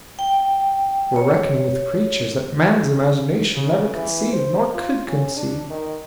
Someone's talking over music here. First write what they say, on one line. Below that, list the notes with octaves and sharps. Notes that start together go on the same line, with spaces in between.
We're reckoning with creatures that man's imagination never conceived--nor could conceive.
G5
C#5
C#3
E3
C5
F4
C#4
D4
D#3